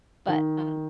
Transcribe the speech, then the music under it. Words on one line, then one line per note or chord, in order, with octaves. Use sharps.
but, um
D#3